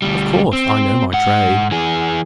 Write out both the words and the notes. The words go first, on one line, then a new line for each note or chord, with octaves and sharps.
Of course I know my trade.
D2 G3
C4
G#2 F#5
E3 G#4